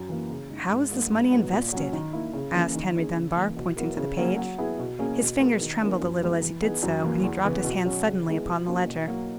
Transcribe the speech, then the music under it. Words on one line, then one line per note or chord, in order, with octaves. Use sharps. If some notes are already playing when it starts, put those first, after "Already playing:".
"How is this money invested?" asked Henry Dunbar, pointing to the page. His fingers trembled a little as he did so, and he dropped his hand suddenly upon the ledger.
Already playing: F#2
E3 A#3
C#3
G#3 D#4 G#4
G#2
F#3 A#3 D#4 F#4
G#2
F#3 B3
A#2
F#3 C#4
D#3
A#3 E4
C#3
E3 A#3 C#4
D#3
A#3 C#4 G#4
C#3
E3 A#3
B2
F#3 B3 E4 A#4
C#3
F#3 A#3 C#4
F#3
B3 E4 G#4
B2
A#3 C#4 G#4
B2
G#3 B3 F#4 A#4
D#3
A#3 C#4 E4 A#4
F#2
E3 G#3 B3 E4
E3
B3 D#4 G#4
F#2
E3 A#3
E2
C#3 E3 B3
B2
F#3 C#4
C#3
G#3 B3 E4
B2
A#3 C#4 F#4
B2
F#3 A#3